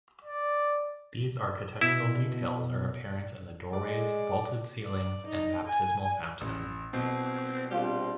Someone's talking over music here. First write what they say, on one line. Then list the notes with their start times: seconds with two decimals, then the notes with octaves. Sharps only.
These architectural details are apparent in the doorways, vaulted ceilings and baptismal fountains.
0.24 D5
1.81 B2 E4
3.73 G#3 D5
4.84 D5
5.27 D#4
5.67 G#5
6.41 A1
6.93 B2 C4
7.71 A#1 G3 C4 F4